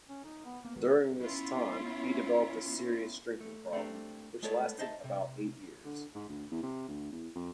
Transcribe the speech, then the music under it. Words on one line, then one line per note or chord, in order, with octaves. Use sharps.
During this time he developed a serious drinking problem, which lasted about eight years.
C#4
D#4
B3
A#3 B3
D#3 G#3 F#4 B4
B3 C#4 E4 F4
A3
A3 C4 D4 G4
G#3 A3 B3 A4 C#5 D5
D#4 C5 D#5 E5 G#5 A5
C3
D3
G#2
D2
E2
C3
D2
E2
F2